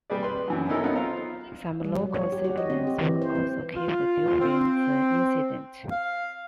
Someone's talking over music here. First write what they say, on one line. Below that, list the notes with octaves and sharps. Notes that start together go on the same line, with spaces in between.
Some local civilians were also killed during the incident.
G3 G4 G#4 B4 D5
B4 C6
F#2 E3 F#3
B3 C#4 D#4 E4 A4 A#4
F#3 B3 D#4 F4
F4 C5 A#5
G3
F#3
C#5
G4
F#4
D#5
C4
G4
E3
C5
C4
F4
C4
F5